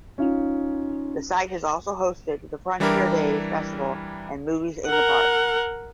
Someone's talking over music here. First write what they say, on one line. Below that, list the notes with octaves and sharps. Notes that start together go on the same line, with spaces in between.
The site has also hosted the Frontier Days festival and Movies in the Park.
C#4 D#4 F4
E3 G3 D4 E4 G4 A#4
A#4 F#5